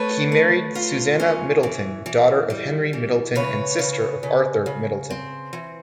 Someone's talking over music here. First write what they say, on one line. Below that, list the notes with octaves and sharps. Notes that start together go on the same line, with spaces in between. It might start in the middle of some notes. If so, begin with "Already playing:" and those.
He married Susannah Middleton, daughter of Henry Middleton and sister of Arthur Middleton.
Already playing: A3 B4 C#5
A3
F4
C#4
E3
E3
G3
E3
C#3 B4 C#5
C#3
C#3
C#3
C4
E3